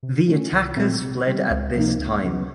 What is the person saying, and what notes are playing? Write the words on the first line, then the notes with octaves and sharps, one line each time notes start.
The attackers fled at this time.
C3
F3 A3 C#4
C2
A#2 F#3 A3 C4
C3
D#3 G3 C4
C#2
C3 F3 A#3 D#4
C#2
C#3 F#3 B3